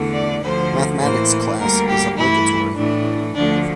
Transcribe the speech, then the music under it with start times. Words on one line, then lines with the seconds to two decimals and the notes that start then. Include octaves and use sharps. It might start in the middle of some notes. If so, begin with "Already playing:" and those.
Mathematics class is obligatory.
Already playing: E2 D3 A3
0.13 D5
0.42 D2 D3 F3 C5
1.00 A2 E3 A#3 C5
1.58 D2 D3 G3 A#3 A#4
1.87 G4
2.17 G2 E3 A3 E4
2.74 A2 E3 A3 D4
3.34 D2 D3 F3 A3 D4